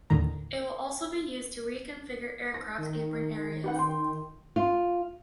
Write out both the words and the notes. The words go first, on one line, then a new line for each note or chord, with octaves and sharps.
It will also be used to reconfigure aircraft apron areas.
D#2 A2 D3 D#3 A#5
A#6
D#3
G4 B4 F#5
G5 C6
F4